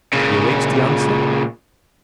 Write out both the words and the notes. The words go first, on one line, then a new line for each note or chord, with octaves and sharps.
"He awaits the answer?"
A#2 C#3